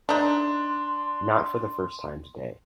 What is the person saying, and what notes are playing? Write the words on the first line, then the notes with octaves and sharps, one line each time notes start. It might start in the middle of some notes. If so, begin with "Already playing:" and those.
Not for the first time today.
A3 D4 D#4 C6